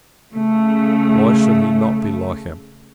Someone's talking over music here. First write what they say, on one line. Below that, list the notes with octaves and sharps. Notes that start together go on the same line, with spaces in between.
Why should he not be like him?
C#3 A3